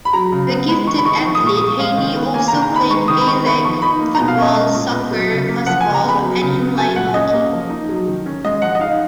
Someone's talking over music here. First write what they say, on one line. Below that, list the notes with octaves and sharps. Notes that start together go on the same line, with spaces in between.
A gifted athlete, Heaney also played Gaelic football, soccer, fastball and in-line hockey.
B5
F#3 A#5
C#3
B3
G#3 B5
D#3 C#6
B5
D#4 C#6
F3
D#6
A#2 C#6
A#3 D#6
G#3 F5
D#3
B3
A#3 G#5
D#3 A#5
A#5
D#4 B5
G#3 C#6
D#3 D#6
B5
D#4 C#6
B3 B5
F3 C#6
D#4 B5
A#3
A#5
B2
F5
C#4 D#5
G#3
A#2
B3
F#3
C#3
A#3
F3 F#5
G#5
C#3
A#5
B3 B5
F#3
C#3
B3
F#3 G#5
A#2 F#5
C#4 D#5
A#3
F3
D#4
F#3
D#3
C#4
G#3 D#5
F3 F#5
D#5
D#4 F5